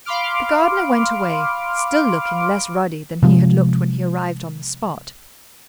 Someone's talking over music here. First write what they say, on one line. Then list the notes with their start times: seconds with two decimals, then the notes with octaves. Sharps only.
The gardener went away, still looking less ruddy than he had looked when he arrived on the spot.
0.05 F5 B5 C6 D6 F6 D7
3.22 C3 F3 G#3